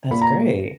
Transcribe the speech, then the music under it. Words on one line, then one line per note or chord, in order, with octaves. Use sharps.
That's great.
A#2 B5
A#5